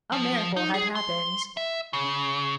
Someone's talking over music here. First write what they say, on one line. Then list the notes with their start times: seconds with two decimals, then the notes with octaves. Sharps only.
A miracle had happened.
0.12 F3
0.56 D#4
0.74 G#4
0.95 C6
1.57 E5
1.93 C#3